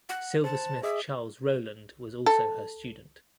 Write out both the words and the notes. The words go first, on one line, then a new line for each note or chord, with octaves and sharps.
Silversmith Charles Rowland was also her student.
F#5
C5 A5
G#4 D#5 E5 D#6
A4